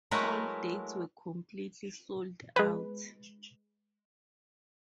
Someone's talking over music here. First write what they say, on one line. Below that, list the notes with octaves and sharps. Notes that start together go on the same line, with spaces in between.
All dates were completely sold out.
F#3 G#3 A3 E4 A#4 B4
G#3 B4